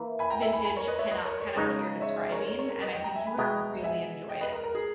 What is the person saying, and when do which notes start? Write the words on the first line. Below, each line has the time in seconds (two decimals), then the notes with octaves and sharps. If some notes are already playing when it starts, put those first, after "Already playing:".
vintage pin-up, kind of what you're describing, and I think you would really enjoy it.
Already playing: E3 A#3 E4
0.19 G#5 B5
0.30 G5 A#5
0.42 E5 G#5
0.53 G#5 B5
0.65 G#5 B5
0.76 A#4 C#5
0.87 B4 D#5
0.99 C#5 E5
1.10 B4 D#5
1.25 A#4 C#5
1.40 A#4 C#5
1.55 C#3 G#3 D#4 B4 D#5
2.01 C#5 E5
2.16 E5 G#5
2.32 A#4 C#5
2.48 A#4 C#5
2.59 A#4 C#5
2.70 A#4
2.82 B4 D#5
2.93 D#5 G5
3.04 G5 A#5
3.15 E5 G#5
3.27 G#5 B5
3.38 B2 G#3 B3 E4 G5 A#5
3.84 E5 G#5
4.29 D#5 G5
4.41 B4 D#5
4.52 A#4
4.64 A#4
4.75 G#4